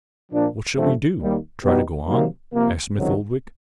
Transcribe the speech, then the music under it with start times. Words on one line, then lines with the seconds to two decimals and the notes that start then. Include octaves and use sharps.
"What shall we do--try to go on?" asked Smith-Oldwick.
0.31 A#2 F3 A#3 D4
0.75 G2 D3 F3 A3 C4
1.19 D#2 D#3 G3 A#3
1.63 B2 G3 B3 D#4 G4
2.08 C3 D#3 F#3 A#3
2.52 C3 F3 A#3
2.96 C#2 C3 D#3 F#3